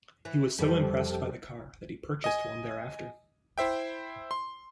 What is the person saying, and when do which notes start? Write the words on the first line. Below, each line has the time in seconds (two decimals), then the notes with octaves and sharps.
He was so impressed by the car, that he purchased one thereafter.
0.25 E3
0.59 F2 C3 G3 G4 A4
2.24 D#5 G#5
3.58 E4 C5 E5 G5
4.31 C6